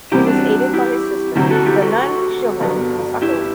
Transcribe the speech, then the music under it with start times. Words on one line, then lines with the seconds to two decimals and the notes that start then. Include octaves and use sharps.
He was aided by his sister, the "nun-shogun" Masako.
0.12 E2 C3 G3 C4 E4 G4
0.27 D4 F#4
0.74 E4 G4
1.35 D2 C3 F#3 E4 G4
1.51 F#4 A4
1.66 E4 G4
1.82 F#4 A4
1.97 F#4 A4
2.60 G1 G2 F#3 B3
3.22 E4 G4